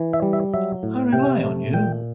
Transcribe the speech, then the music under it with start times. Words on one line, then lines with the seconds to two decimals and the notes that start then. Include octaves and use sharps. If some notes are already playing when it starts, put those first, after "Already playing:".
I rely on you.
Already playing: E3
0.13 E5
0.22 G3
0.33 E5
0.54 F#3 E5
0.83 A2
1.13 C3 G5
1.43 A3
1.73 A#2 G5